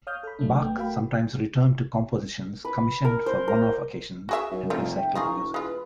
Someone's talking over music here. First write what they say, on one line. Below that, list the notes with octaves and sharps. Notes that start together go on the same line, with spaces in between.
Bach sometimes returned to compositions commissioned for one-off occasions and recycled the music.
C#5 F5 D#6 F6 G6
A4 B5
F#3 A3 C#4 D4
A1 A3 B3 G5
A3 F#4 A#4 F5 G5 B5
B4
A#4
C5
A#4
F#4 G#4 E5
F#2 D#4 A#4
F1 A3 F4 F5 A#5
E5 G5
E1 D#4 F4 G#4 A#5 C#6
G#3 F4 B4 B5